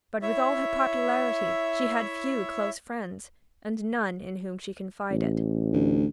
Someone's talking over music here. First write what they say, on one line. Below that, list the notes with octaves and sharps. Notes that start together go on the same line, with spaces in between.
But with all her popularity she had few close friends, and no one in whom she confided.
E4 C#5 E5
A1
D2